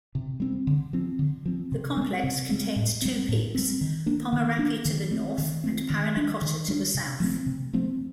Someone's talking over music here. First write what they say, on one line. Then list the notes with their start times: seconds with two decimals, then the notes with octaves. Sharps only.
The complex contains two peaks, Pomerape to the north and Parinacota to the south.
0.15 C3
0.40 G3 C4
0.67 D3
0.93 F3 C4
1.19 D3
1.46 F3 C4
1.72 C3
1.97 G3 C4
2.23 C3
2.49 G3 C4
2.76 A2
3.02 G3 C4
3.29 A2
3.55 G3 C4
3.81 D#3
4.06 A#3 D4
4.33 D#3
4.58 A#3 D4
4.85 D#3
5.11 A3 C4
5.38 D#3
5.64 A3 C4
5.90 D#3
6.16 G3 D4
6.42 D#3
6.68 G3 D4
6.95 C3
7.20 F3 A3 C4
7.46 C3
7.73 F3 A3 C4